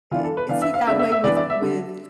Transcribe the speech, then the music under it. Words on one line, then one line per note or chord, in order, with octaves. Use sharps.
i is he that way with with
E3 B3 D4 F4
A4
B4
E3 B3 D4 F5
E5
F5
D3 G#3 B3 D4 E5
E5
E5
E3 B3 D4 D5
D5
E5
D3